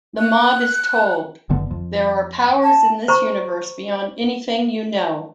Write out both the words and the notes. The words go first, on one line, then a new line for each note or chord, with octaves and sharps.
The mob is told, There are powers in this universe beyond anything you know.
F#6
F#1 D3 B3
F2
A5
C5 A#5 C#6